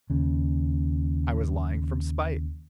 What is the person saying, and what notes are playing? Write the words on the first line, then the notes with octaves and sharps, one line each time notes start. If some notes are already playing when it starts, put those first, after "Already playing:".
I was lying from spite.
D#2 C#3